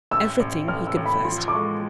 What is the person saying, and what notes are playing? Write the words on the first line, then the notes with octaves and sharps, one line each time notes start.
"Everything," he confessed.
A1 E6
A1
A1 F6
E6
A1
B5
F3 C6
D6
G#3 C#6